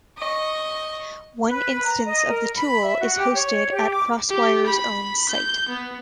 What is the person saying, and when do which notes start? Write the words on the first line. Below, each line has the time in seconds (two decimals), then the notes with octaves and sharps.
One instance of the tool is hosted at CrossWire's own site.
0.18 D#5 C#6
1.48 B4
1.71 B4
1.84 A#5
2.06 D#5
2.29 A#4
2.55 B5
2.82 E5
3.01 F#4
3.16 G4
3.34 C#5
3.71 G4
3.90 D6
4.29 G4
4.66 B5
5.29 G6
5.69 B3